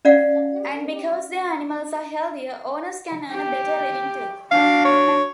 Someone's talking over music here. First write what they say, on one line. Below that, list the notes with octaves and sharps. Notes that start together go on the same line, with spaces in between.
And, because their animals are healthier, owners can earn a better living too.
C#4 D5 F5 F#5
G4
D4 F#4 F5
C#5